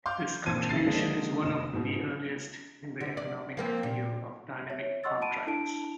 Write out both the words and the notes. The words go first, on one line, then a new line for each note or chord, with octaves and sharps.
This contribution is one of the earliest in the economic field of dynamic contracts.
F5 C6 D6 F6 G6
A#2 C4 A5 G#6 D#7
B1 C#3 E4 A6 C7
D3 F3 G#3 A#3 D4 D#4
F1 D#5 E7
G#2 B2
D3
D5
F3 A#3 C4
A#2
C#5 E5
D#5 F#5 C6 C#6 E6 A6
A5 B5 D7 D#7
D4 E4 A4 A5 D7